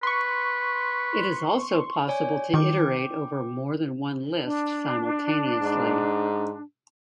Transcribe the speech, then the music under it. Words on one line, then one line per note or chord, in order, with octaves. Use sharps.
It is also possible to iterate over more than one list simultaneously.
B4 C6 C#6
C#5 D5 G#5
D#3 G5 D6
D4
G#2